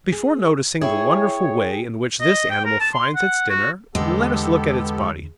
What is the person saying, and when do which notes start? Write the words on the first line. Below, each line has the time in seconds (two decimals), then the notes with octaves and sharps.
Before noticing the wonderful way in which this animal finds its dinner, let us look at its body.
0.12 G#4
0.81 E4 G#4 C#5 G5
2.20 D#5
2.50 G5
2.65 A#4
2.80 A5
2.94 C6
3.16 F#5
3.50 F#4
3.95 E2 D3 G#3 B3 G4 A4